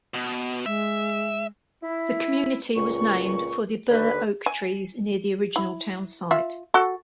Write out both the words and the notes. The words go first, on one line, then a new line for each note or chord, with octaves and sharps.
The community was named for the burr oak trees near the original town site.
B2
G#3 E5
E4
C#2 A#2 C#6
D#2 D3 B4
G#5
E4
F4 E5
F#4 A4